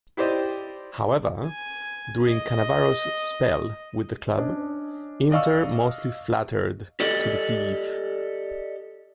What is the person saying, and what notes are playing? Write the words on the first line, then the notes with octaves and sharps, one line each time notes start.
However, during Cannavaro's spell with the club, Inter mostly flattered to deceive.
E4 G4 C5 D5 D#5
G#5
D#5
C#4 D4 D#5
D5 D#5 F5 C#6 E6
G4 A4 D5 D#5